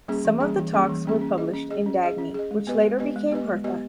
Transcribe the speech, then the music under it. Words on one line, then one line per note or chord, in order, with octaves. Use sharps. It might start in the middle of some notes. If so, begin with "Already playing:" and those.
Some of the talks were published in "Dagny" which later became "Hertha".
G3 A#3 C#4 G#4
E3
G3 A#3 C#4 G#4
E3
G3 A#3 C#4 G#4
E3
G3 A#3 C#4 G#4
C#4
G#4 D#5
C#4
G#4 D#5
C#4
G#4 D#5
C#4
G#4 D#5
G#3
B3 G4 B4 D#5
G#3
B3 G4 B4 D#5
G#3
B3 G4 B4 D#5
G#3
B3 G4 B4 D#5